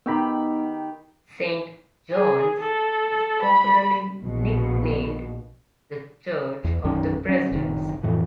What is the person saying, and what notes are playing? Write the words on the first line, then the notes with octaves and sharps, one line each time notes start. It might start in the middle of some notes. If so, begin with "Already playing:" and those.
Saint John's is popularly nicknamed the "Church of the Presidents".
D#3 B3 D#4 G4 B5
G#4
A4
B5
A#1 B2
E2
B1 F#2 D#3 C#4
F#3 C#4
F#1 D#3
F2 A2 E3 F3